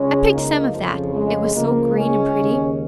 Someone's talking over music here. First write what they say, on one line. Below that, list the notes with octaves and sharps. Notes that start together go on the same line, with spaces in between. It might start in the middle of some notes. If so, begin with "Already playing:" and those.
I picked some of that, it was so green and pretty.
Already playing: C#2 C#3 G#3 C#4
A#3 D#4
F2 C#3 F3
G#3
C#2 C#3 F3 A#3
G#3 C#4
D#2 C#3